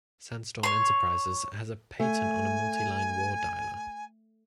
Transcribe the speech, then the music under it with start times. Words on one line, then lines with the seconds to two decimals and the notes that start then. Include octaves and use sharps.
Sandstorm Enterprises has a patent on a multi-line war dialer.
0.63 C#5 C6
2.00 A3 G#5